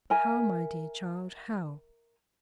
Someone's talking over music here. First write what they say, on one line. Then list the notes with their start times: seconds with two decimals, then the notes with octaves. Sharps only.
"How, my dear child, how?"
0.10 A#4 E5 G#5